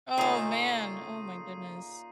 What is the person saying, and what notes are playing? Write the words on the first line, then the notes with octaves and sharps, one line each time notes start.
Oh man, oh my goodness.
A#2 C#3 A3 D#4 D#6 C7 D#7